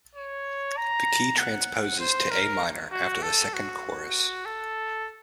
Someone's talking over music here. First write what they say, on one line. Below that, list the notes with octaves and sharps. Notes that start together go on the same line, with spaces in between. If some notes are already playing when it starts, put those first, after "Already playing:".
The key transposes to A minor after the second chorus.
C#5
A#5
F#5
C5
A#4
F#4
A4
F#4
A4